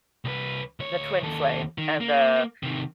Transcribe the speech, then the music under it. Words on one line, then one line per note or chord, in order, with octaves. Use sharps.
the twin flame, and the
C2 B4
D2 C#5
D#2 A4
D#3
A#3
C3 D#3